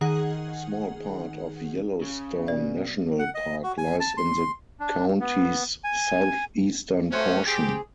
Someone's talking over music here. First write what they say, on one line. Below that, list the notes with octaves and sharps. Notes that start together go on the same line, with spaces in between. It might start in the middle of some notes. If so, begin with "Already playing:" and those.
A small part of Yellowstone National Park lies in the county's southeastern portion.
D#3 D#4 G#4 F#5
C#3
B2 D5
F#5
D#5
F#4
G#5
A5
C6
D4
B3
G#5
C3 F#3 A3 C#4 C5
C4 G4 G#4